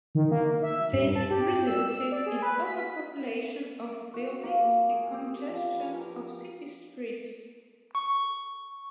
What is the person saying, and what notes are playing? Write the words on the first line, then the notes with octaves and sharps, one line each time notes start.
This resulted in overpopulation of the buildings, and congestion of city streets.
D#3
A#3
E5
G2
A5
G4
E6
D5
G#4
B4
B6
D6
F#4
A#3
G#4
G4
F3
B4
A#4
C#6